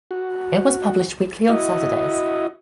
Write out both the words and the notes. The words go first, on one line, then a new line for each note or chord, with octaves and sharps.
It was published weekly on Saturdays.
F#4
E4 F#4 D#5